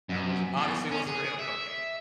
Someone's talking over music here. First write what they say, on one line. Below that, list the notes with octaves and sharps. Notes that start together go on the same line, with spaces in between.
That wasn't obviously wasn't real cocaine.
F#2
E2
C#4
G#4
E5